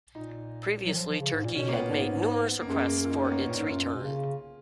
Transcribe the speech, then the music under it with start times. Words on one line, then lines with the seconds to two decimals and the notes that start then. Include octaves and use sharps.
Previously, Turkey had made numerous requests for its return.
0.14 A#2 D#4
0.85 F#3
0.93 D#3
0.97 F3
1.08 F3
1.20 C#3
1.33 G#2
1.44 A#2
1.55 B2 C#4
1.68 A#3
1.73 A#2 B3
1.91 G#2
2.61 F#2 A#3
2.70 G#3
2.79 A#3
3.05 F4
3.11 D#4
3.18 C#4
3.24 B3
3.32 A#3
3.42 C#4
3.48 A#2 B3
3.58 G#2
3.67 F#2 F4
3.95 B2
4.02 C#3